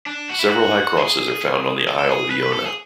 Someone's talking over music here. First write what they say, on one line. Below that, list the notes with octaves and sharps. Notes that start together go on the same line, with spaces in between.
Several high crosses are found on the Isle of Iona.
D4
F#4
E4
F#4
G#4
A4
A4
G#4
B4
B4
A4
G#4